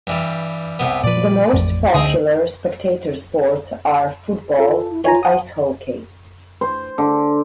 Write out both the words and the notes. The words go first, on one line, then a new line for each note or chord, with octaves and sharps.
The most popular spectator sports are football and ice hockey.
G2 E3 G3
C2 C3 B3
A#2 F3 B4 D5
A1 F2 A2
D2 D3 C4 D#4 G#4
F4 A4
E4
F4 C#5 G#5 A#5
F#5 D#6
C5
D3